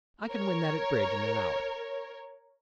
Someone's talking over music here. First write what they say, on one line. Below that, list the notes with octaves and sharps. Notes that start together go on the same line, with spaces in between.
"I can win that at bridge in an hour."
A#4 C#5